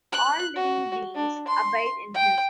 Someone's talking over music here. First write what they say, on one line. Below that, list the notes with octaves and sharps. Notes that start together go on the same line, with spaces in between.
All living beings abide in Him.
F#6
F#4
D4
C6
G5